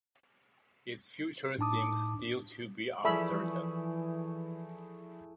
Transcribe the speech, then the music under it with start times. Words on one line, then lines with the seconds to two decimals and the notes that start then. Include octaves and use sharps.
Its future seems still to be uncertain.
1.58 A2 D4 D#4 A5 D6 D#6
3.05 E3 F3 A3 E4 G#4 D5 E5 B5